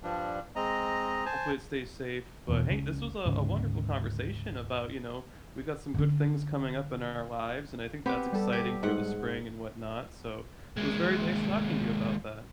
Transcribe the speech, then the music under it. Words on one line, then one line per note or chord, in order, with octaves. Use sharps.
hopefully it stays safe, but hey, this was a a wonderful conversation about, you know, we got some good things coming up in our lives, and I think that's exciting for the spring and whatnot, so it was very nice talking to you about that.
G2 F3 G3 D4
G#3 C4 D#5 A#5
C5 G#5 A5
E2 B2
C#2 C#3
D2 G#2 C#3
D3 C#4
B3 C4 G4
G3 A4
G4
G#2 F#5
D#2 G#3